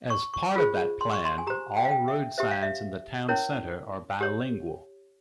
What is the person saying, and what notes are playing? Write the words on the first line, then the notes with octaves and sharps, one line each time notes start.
As part of that plan, all road signs in the town centre are bilingual.
C#6
C#6
F4 G#4 C5
C6
C#6
C6
G#5
G4 C5 A#5
G5
F5
G5
E5
G4 C5 E5
F5
E5
C#4 E4 A#4 C#5
G4 C#5